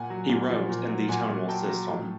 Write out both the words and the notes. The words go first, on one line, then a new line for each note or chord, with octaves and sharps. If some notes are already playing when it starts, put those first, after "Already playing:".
He wrote in the tonal system.
Already playing: A#2 F#5 G#5
F#3
A#2
F3
A#2
F#3
A#2 F#5 G#5
A#2
F#3 G5 A5
F#3
A2